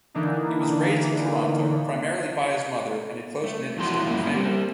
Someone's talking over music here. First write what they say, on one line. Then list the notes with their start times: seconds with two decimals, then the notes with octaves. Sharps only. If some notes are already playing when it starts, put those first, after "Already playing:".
He was raised in Toronto, primarily by his mother and a close-knit extended family.
0.15 D3 E3 A#3 D4 D#4
3.44 A3
3.77 E2 F3 E4 F#4 C6
4.05 G2 A#2 A#3 C#4 E4 F4
4.34 G3 C4